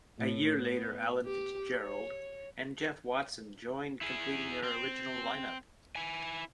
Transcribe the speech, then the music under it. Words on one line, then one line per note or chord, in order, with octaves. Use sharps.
A year later Alan Fitzgerald and Jeff Watson joined completing their original lineup.
A2
B3
G4
C#5
E4 G#4
C4
E4 G#5